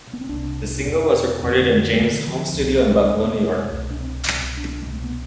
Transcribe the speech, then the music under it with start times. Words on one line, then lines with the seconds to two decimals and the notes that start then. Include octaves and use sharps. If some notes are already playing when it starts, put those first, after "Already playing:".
The single was recorded at James' home studio in Buffalo, New York.
0.13 B3
0.21 C4
0.29 C2 C3 D4
0.86 E2 B2
1.43 F2 D3 C4
2.00 D2 D3 A3
2.15 E3
2.28 F3
2.57 C2 B2
2.86 G#3
2.96 A3
3.04 G#3
3.14 E2 B2 A3
3.24 B3
3.34 A3
3.71 C2 B2
3.90 D4
4.00 C4
4.29 C2 B2
4.57 D4
4.82 G#3
4.86 C2 B2
4.93 A3
5.04 B3